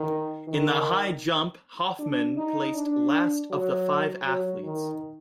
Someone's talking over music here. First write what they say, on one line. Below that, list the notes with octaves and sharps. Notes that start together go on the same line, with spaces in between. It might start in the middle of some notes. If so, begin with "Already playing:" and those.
In the high jump Hofmann placed last of the five athletes.
Already playing: D#3
D#3
D4
D#4
D4
F#3
F#3
D#3